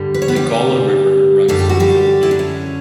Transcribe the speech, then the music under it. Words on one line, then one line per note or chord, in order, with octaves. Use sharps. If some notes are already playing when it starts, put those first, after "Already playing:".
The Gaula River runs through the village.
Already playing: G2 D3 G3
B4
C#5
B3 B4
G3 G4
F#2 D3 G3 A4
G4
F#4
G3 G4
E4
D4
C#4